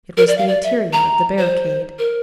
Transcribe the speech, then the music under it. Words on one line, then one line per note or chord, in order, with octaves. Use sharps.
It was the interior of the barricade.
A#4
D5
F5
D5
E5
A#5
C5
A#4